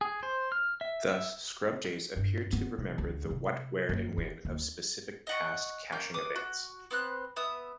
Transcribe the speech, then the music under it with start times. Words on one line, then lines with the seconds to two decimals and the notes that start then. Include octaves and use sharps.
Thus, scrub-jays appear to remember the "what-where-and-when" of specific past caching events.
0.01 G#4
0.23 C5
0.52 F6
0.81 E5
1.09 E5
2.16 G2
2.52 B3
2.78 C3
2.98 D2
3.30 C3
3.89 F#1
4.18 F4
4.45 D#2
5.27 D#5 F#5 C#6
5.92 A#3 C#4 G6
6.14 B4 D6 D#6
6.36 F#4
6.91 B3 C4 C5 F#6
7.36 B3 E5 D#6